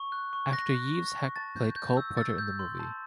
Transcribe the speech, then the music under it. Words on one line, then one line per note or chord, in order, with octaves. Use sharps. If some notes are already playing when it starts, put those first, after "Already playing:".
Actor Yves Heck played Cole Porter in the movie.
Already playing: C#6
F#6
C#6
F#6 A#6
F#6
C#6
C#6
A5 A6
G6
G6
E6
E6 A6
G6
C6
A5